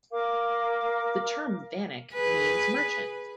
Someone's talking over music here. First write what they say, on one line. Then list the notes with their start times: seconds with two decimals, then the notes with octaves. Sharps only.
The term Vanik means merchant.
0.11 A#4 F5 D6
2.13 G#4 B4